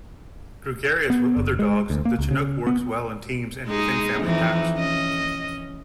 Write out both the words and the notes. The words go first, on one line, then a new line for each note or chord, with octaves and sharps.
Gregarious with other dogs, the Chinook works well in teams and within family packs.
B3
F#1
G#3
D2
A#3
C#2
C#3
B3
G#3 D#4 G#4
F2 E3 D#4
C#4 D#5